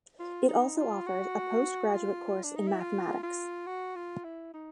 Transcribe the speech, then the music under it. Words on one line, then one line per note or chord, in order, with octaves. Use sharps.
It also offers a post-graduate course in Mathematics.
F4
D#4
F4
F#4
F4
D4
D#4
E4
F4
F4
F#4
F4
E4
D#4